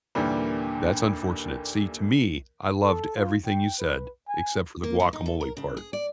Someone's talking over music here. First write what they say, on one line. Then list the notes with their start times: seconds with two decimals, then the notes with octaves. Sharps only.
That's unfortunate. See, to me, I loved everything you said, except for the guacamole part.
0.15 D#2 A#2 D3 E3 G3
2.83 A4
3.16 F4
3.46 G5
3.79 B4
4.29 G#5
4.83 A#3
5.00 F3
5.13 D#4
5.26 A4
5.41 A#4
5.57 C#3
5.77 G#4
5.93 D5